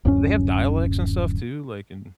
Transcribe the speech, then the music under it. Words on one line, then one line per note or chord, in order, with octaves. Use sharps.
They have dialects and stuff too, like in
D1 F#2 C#4